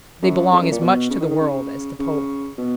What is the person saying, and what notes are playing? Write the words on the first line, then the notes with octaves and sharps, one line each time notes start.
They belong as much to the world as to Poland.
F#2
F2
F#2
A#2
B2
C#3
D#3
D#3
C#3
C#3
B2